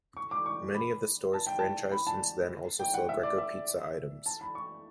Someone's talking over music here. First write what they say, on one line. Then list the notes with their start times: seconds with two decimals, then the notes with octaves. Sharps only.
Many of the stores franchised since then also sell Greco Pizza items.
0.17 C#6
0.31 D6
0.46 C#6
0.74 B5
1.34 A5
1.46 G5
1.59 A5
1.92 B5
2.07 A5
2.79 G5
2.94 F#5
3.09 E5
3.23 D5
3.38 E5
4.26 A5
4.41 B5
4.55 C#6